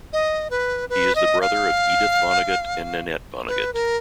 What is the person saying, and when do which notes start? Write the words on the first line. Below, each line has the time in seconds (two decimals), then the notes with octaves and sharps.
He is the brother of Edith Vonnegut and Nanette Vonnegut.
0.13 D#5
0.50 B4
0.90 B4
1.15 D#5
1.41 F5
3.47 B4
3.74 A#4